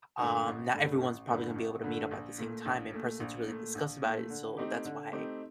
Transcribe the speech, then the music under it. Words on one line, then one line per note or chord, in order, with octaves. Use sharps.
Um, not everyone's probably gonna be able to meet up at the same time in person to really discuss about it, so that's why
G2 D3 A3
A1
G2 D3 A3
A1
G2 D3 A3
A1
G2 D3 A3
A#1
A#2 A3
A#1
A#2 A3
A#1
A#2 A3
A#1
A#2 A3
D3
A3 C4 D#4 G4
D3
A3 C4 D#4 G4